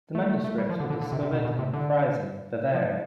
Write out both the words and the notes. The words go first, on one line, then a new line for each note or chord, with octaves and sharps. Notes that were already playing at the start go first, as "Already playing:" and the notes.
The manuscripts were discovered in Freising, Bavaria.
A3
A3
A3
G3
F3
D3
D3
D3
C3
C3
B2
B2
C3
D3
F3